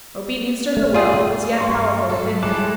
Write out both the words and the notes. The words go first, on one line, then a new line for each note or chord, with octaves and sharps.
Obedience to her will was yet powerful within him.
A3
F4 G#4
G2 C6 C#6
G#2 F#3 A4
G#2 G3 G#3 E4 A4 A5 D6 F#6